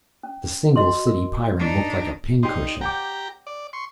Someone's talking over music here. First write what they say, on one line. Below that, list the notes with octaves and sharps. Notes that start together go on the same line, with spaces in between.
The single city Pyrran looked like a pin-cushion.
C#4
F#4 D#5 C6
A#4
D4 D#4
D#4 G4 C6
G4 F#5 G5 A#5 D6
D5
C6 C#6